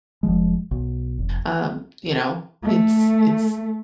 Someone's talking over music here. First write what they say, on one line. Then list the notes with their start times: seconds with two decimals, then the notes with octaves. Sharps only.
um, you know, it's it's
0.23 F1 C#2 F3 G#3
0.71 B1
1.18 F1
2.63 A3